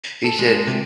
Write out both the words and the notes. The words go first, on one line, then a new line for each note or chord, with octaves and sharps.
He said,
A4
G#3
C3